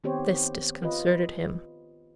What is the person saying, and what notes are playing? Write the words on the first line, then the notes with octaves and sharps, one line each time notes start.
This disconcerted him.
D#3 B3 C4 G4 C5 C#5
F4 B4 D#5